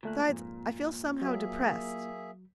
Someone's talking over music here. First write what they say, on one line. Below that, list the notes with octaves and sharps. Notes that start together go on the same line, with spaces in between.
"Besides I feel somehow depressed."
D2 A#2 A3 F#6
F2 G#2
F#3 A#3 G#4 E5